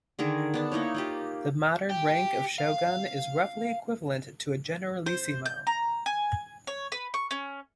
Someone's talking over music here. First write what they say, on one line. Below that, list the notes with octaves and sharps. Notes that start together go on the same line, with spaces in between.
The modern rank of shogun is roughly equivalent to a generalissimo.
D3 D#3 G#4 A#4
B3 D4 A5
A#3 D#4 E4 C#5
A#3 F4 G4
G4
F5
C5
G6
A#5
G#5
C#5
B4
C#6
C#4